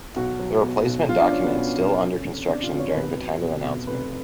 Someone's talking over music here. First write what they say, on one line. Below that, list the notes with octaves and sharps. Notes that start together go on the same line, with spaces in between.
The replacement document still under construction during the time of announcement.
B1 F#4
F#3
B2
B1
B1 F4
D4
F#3 C#4
B3
B2 C#4
B1
F1
D3
F2 D4
F4
F1
C#5
B1 B4
F#3
B2
B1
F1 B4